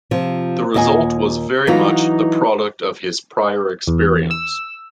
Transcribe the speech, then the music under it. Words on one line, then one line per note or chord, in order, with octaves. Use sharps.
The result was very much the product of his prior experience.
C3 F3
D#2 A#2 D#5 F#5 G#5
E3 F#3 B3 D#4 F4 F#4
E2
E6